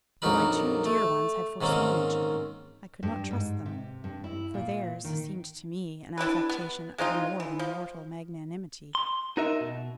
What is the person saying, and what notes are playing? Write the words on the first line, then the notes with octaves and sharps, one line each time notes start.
Though my two dear ones had forsworn each other, I could not trust them, for theirs seemed to me an affectation of a more than mortal magnanimity.
A#1 F2 F#3 D#4 A#4 B5
A3
G#2 D#3 A#3 C4 C#4
G2
G#2
C3
G2
E4
A#2
D#3
D4 E4 G4 B4
B3
G#3 C4 D#4 F4
E3
F3
C6
D#4 F#4 A#4 D#5 E5
B2